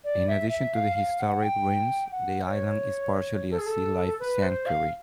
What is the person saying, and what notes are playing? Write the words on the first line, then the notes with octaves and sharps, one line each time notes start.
In addition to the historic ruins, the island is partially a sealife sanctuary.
D5
E5
E5
F5
F5
F#5
G5
F#5
C#5
A4
G#4
A4
B4
C5
F5